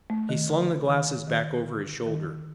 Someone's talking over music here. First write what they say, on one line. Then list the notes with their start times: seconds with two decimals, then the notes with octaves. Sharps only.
He slung the glasses back over his shoulder.
0.10 A3
0.29 D#3
0.49 D3
0.89 D#3
1.27 D#3
1.67 D3
2.07 D#3